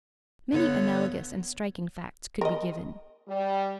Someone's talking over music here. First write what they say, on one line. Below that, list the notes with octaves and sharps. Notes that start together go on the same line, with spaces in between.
Many analogous and striking facts could be given.
G2 D3 B3 C#5 F#5
A#4 D#5
G3